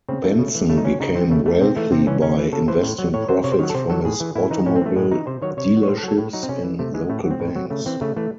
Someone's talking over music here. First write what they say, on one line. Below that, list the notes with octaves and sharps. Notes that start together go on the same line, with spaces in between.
Benson became wealthy by investing profits from his automobile dealerships in local banks.
C#3 C4
E3 A3
C#3
E3
C#3 A3
D#4
E3 C#4
C#3 D#4
E3 C4
C#3 A3
E3 A3
C3 C4
E3 A3
C3 C4
E3 C#4
C#3 C#4
E3
C#3 A4
E3 C5
A2
F#3
A2 C#5
F#3 C5
C3 C#5
C5
D#3 F#3 C#5
A4
C3 C5
D#3 F#3 A4
A2 G#4
E3
A2 E4
E3 D#4
A2 C#4
C4
E3 A3
A2 G#3
E3 D#4
C3 C5
D#3 F#3 C#5
C3 C#5
D#3 F#3
C#5
A2 C5
A4
F#3
A4
A2
F#3 D#4
C4
C3 C#4
E3
C3 A3
E3 G#3
A2 A3
F#3
C4
A2
F#3
C#3 A3
E3 C4
C#3 A3
E3 A3